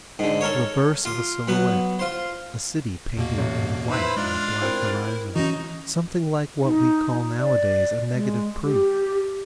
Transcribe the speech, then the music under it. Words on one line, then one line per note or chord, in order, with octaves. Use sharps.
The reverse of a silhouette--a city painted in white on a black horizon, something like what we call nowadays a negative proof.
G#2 D3
A4 A#4 C#5
F4 D6 D#6
F#3 B3 B4
F4 C5
E2 B2 A#3
A1
D#4 E4 B4 C5
G#3 D4 F4
C4 E4 A#4
E3 C#4 D#4 F#4
D#4
D5
G#3
G4